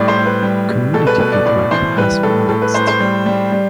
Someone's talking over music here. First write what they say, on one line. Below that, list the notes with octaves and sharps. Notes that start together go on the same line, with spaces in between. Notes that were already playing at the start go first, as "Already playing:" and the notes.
Community feedback has been mixed.
Already playing: A2 G3 D5
C5
A2
B4
G3
G3
B2 A4
B4
B2 B4
D5
A2 D5
E3 C5
G3 B4
A2 A4
A2 A4
B4
A2 C5
C5
G3
G3
G3